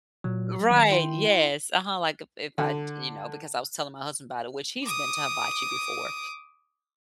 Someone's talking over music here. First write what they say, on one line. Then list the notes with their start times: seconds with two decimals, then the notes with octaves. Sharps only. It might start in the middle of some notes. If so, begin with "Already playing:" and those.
right. Yes. Uh-huh. Like, if I, you know, because I was telling my husband about it, which he's been to hibachi before,
0.24 A#2 F#3
0.71 D#3
0.92 E4 G5 C6
2.58 D3
4.84 D6 D#6